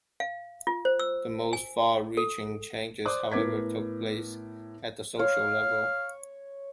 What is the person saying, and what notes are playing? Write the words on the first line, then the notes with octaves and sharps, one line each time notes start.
The most far-reaching changes, however, took place at the social level.
F5
F4
C5
E6
G#5
A4
C5 D5 D6 D#6 F#6
A2 B3 A#4 D6 G#6 B6
C#5 F5